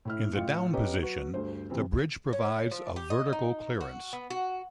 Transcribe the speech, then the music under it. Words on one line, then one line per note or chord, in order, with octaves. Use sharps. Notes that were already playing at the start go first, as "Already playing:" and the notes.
In the down position, the bridge provides of vertical clearance.
A2 E4 F6
A1 F4 C#7
B3 C#4 G4 C#5 D#5 A#5
F#3 F#4 B4
D2 G2 C5
C3 E3 C4
C#4
F3
G4
D#5
D#4
F#4
B3
F#4